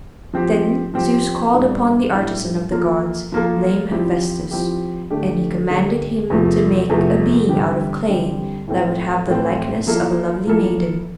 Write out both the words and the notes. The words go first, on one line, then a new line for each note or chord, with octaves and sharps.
Then Zeus called upon the artisan of the gods, lame Hephaestus, and he commanded him to make a being out of clay that would have the likeness of a lovely maiden.
F3 C4 G4
F3 C4 G4
A2 E3 G3 D4
A2 E3 G3 D4
F3 A#3 F4 A4
F3 A#3 F4 A4
F3 C4 E4 G4
F3 C4 E4 G4
D3 A3 D4 G4
D3 A3 D4 G4
E2 C3 F3 A3
E2 C3 F3 A3
D3 G3 C4 G4
D3 G3 C4 G4
A2 E3 A3 C4
A2 E3 A3 C4
F3 A#3 E4 A4
F3 A#3 E4 A4